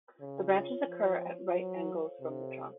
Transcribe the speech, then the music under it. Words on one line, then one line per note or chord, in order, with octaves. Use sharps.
The branches occur at right angles from the trunk.
C#3 C#5
F4
C#5
F4
F3 F4
F4
F4
C#5
F#3 C5
A4
F5
C5
C3 A4
A4
C5